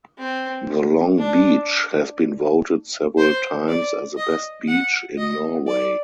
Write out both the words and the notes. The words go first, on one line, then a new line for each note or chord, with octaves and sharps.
The long beach has been voted several times as the best beach in Norway.
C4
D4
C5
D5
D#5
F#5
D#5
D5